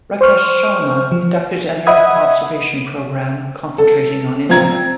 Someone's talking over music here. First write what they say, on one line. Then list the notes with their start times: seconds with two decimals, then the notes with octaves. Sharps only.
Rakesh Sharma conducted an Earth observation program concentrating on India.
0.21 C5 C#6 F6
1.12 F3
1.87 D#5 E5 F#5 B5 D#6 G#6
3.78 A4
4.49 F3 C4 A#5 G#6